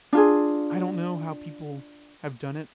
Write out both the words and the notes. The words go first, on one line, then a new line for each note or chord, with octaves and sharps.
I don't know how people have done it.
D4 F4 G#4